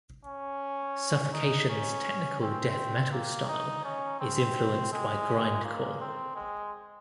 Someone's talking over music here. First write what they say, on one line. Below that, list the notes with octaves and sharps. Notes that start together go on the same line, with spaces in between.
Suffocation's technical death metal style is influenced by grindcore.
C#4
D#4
C#4
C4
A#3
D#4
C#4
C4
G#3
A#3
C4
G#3